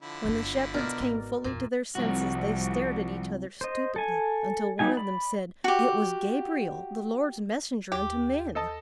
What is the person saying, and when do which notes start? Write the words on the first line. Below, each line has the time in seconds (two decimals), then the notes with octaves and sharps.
When the shepherds came fully to their senses, they stared at each other stupidly, until one of them said, "It was Gabriel, the Lord's messenger unto men."
0.02 D3 F3 E4
0.25 G1 D4
0.74 B2 A#4 D5
1.00 G#1
1.44 F#1 E2 A#2
1.95 C2 F3 F#4
3.61 C5 D#5
3.96 A4 G#5
4.79 F#3 G3 D#4 G4 G#5
4.97 D5 B5
5.64 F#4 G4
7.92 D#2 G4 D6
8.55 A4 D#5 A5